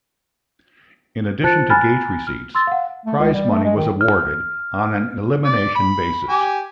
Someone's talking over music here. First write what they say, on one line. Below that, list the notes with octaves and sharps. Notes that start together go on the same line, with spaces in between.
In addition to gate receipts, prize money was awarded on an elimination basis.
F4 C5 A5 F#6 A6 C#7
G#5 A#5 B5 F6 F#6 A6
F6
C6 E6 A6
F5 F#5
A3
C#2
G3
A3
G#3
D#3
F6
D5
B5
G4 G#5